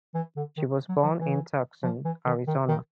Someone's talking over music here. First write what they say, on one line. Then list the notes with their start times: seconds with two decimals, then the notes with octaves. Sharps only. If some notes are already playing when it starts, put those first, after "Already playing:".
She was born in Tucson, Arizona.
0.15 E3
0.36 D3
0.57 D#3
0.89 F#3
1.04 F3
1.20 E3
1.83 F3
2.05 E3
2.26 D#3
2.47 D#3
2.68 D#3